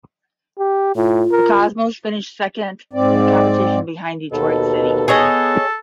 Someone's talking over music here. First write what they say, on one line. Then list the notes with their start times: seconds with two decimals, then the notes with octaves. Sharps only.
The Cosmos finished second in the competition behind Detroit City.
0.59 G4
0.96 A2 F4
1.32 A#4
2.93 G#2 C4 D5
4.32 D#2 B2 A4
5.08 B3 G#4 A4 C#5 D#5